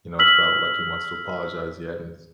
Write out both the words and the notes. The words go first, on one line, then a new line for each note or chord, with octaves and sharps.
you know, felt like he wants to apologize yet, and it's
E6 F6 B6 F#7